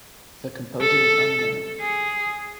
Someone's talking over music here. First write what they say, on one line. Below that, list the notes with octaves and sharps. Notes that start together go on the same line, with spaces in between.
The composer is unknown.
A4
G#4